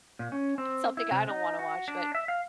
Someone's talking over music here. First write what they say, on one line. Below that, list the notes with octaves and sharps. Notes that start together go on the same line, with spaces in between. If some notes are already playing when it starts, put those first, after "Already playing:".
but something I don't wanna watch, but
A#2
C#4
C4
E4
C3
D#4
F#4
D4
E5
F5